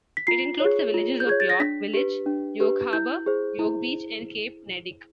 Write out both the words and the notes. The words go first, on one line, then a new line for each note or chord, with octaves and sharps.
It includes the villages of York Village, York Harbor, York Beach and Cape Neddick.
B6
F4 C7
G#4 C#5
F4
G6
G#4 C#5 G#6
A6
A#6
D4 B6
G4 B4
D4
G4 B4
E4 G6
G#4 C5
E4